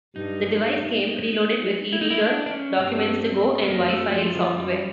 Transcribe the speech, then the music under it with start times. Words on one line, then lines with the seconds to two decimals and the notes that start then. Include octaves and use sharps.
The device came pre-loaded with eReader, Documents To Go, and WiFile software.
0.15 G2 D#4
1.93 E4
2.01 D#4
2.11 E4
2.22 D4
2.46 D4
2.51 C#4
2.80 G2 C4
3.63 B3
3.68 F#2 A#3
3.90 A3
4.12 F3
4.35 F3
4.56 F#2 G3